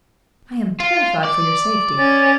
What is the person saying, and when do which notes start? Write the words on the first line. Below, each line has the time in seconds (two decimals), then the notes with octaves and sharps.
I am terrified for your safety.
0.80 F4
1.24 D5
1.99 C#4 A6